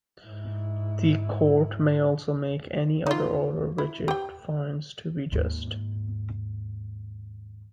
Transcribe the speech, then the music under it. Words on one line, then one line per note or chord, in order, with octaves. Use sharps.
The court may also make any other order which it finds to be just.
G#2 E4
D#4 F4
E4
G4 G5
D#2 G#2